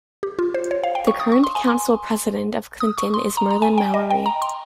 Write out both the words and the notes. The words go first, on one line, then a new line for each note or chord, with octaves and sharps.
The current council president of Clinton is Merlin Mowery.
G4
F4
C5
C#5
F5
G5
C#6
D#6
C#6
C6
G#5
C6
D#6
C#6
C6
A#5
A#5
G#5
G5
D#5
G5
A#5
C6